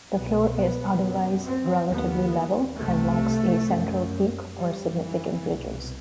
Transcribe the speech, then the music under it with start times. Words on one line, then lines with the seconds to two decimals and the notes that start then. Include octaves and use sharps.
The floor is otherwise relatively level and lacks a central peak or significant ridges.
0.12 C2 B2 B3
0.57 B3
1.02 F#2
1.45 C4
1.90 D#2 B3
2.78 C2 C3 A3
3.67 F#2
4.56 F#2 G3
5.00 E3
5.44 C2 B2